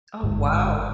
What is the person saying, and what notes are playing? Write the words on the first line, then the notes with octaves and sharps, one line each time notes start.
Oh, wow.
G1 G#2